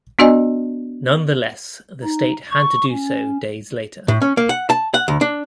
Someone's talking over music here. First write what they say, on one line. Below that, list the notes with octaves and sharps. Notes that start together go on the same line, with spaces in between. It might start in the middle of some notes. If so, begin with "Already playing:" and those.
Nonetheless the state had to do so days later.
B3 D4 F#4 D5 D#5 G#5
D#4
C#6
C#4
A2
C#4
A#3
F#5
A5
F#5
D2
D4